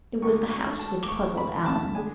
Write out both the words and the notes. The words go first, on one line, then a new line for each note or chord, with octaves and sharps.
It was the house which puzzled Alan.
D2 D3 G#3 C#6
C#6
A5
D6
C#6
B5
B5
A5
D3 G#3 G#5